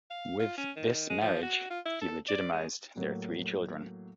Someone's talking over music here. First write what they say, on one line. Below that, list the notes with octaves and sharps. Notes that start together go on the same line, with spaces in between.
With this marriage he legitimized their three children.
F5
F4
C#4
D#3
G#3
F3
F#4
F4
E4
A4
D5
G#3
A2 F#3 A#3